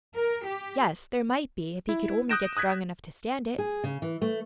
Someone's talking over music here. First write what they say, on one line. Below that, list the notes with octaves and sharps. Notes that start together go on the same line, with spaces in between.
Yes, there might be, if he could only get strong enough to stand it.
A#4
G4
E4
D#6 F#6 G6 A#6 D7 E7
D#6 F#6 G#6 B6
G#4
C#3
E3
A3